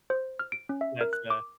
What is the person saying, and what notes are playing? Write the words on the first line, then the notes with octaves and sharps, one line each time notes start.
That's the
C5
F6
D7
C#4
E5
A#4
F#6
D6